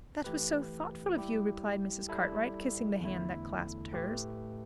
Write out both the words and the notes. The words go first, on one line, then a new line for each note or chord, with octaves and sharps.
"That was so thoughtful of you!" replied Mrs. Cartwright, kissing the hand that clasped hers.
E3 A3 G4 B4
G3 E4 G4
G3 E4 A4
E2 D3 A3 E4
A2 A3 G4 B4